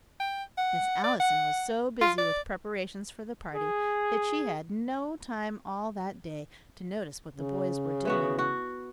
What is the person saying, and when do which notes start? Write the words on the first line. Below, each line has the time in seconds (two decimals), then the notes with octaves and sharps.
Miss Allison was so busy with preparations for the party that she had no time all that day to notice what the boys were doing.
0.20 G5
0.58 F#5
1.04 D5
1.20 F#5
2.02 F4
2.18 D5
3.55 G#4
7.31 C#3
8.05 E3 B3 F#4
8.39 F#4